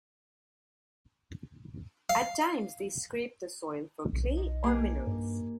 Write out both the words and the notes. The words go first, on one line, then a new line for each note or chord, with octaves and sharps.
At times, they scrape the soil for clay or minerals.
F5
B1
D#4
A#3 G4 G#4
G2